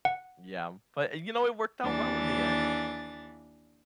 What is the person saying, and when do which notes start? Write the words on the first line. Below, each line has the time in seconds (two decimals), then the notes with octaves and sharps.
Yeah, but you know, it worked out well in the end.
0.05 F#5
1.83 D#2 E3 D4 G#4 A6